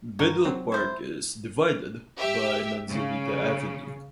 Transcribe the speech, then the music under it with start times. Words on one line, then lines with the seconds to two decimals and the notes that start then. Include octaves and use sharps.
Bidwell Park is "divided" by Manzanita Avenue.
0.19 G2 F#4 A#4
0.45 F#3 C4
0.72 E4 C5
2.18 G4 E5
2.89 C#3